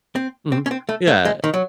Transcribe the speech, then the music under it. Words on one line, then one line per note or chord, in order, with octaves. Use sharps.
Mhm, yeah.
C4
C4
C#4
C4
A3
A3
G#3
D#3
F#3